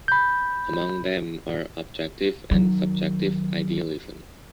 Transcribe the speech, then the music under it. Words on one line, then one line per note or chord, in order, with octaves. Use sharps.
Among them are objective and subjective idealism.
B5 G6
D#3 F#3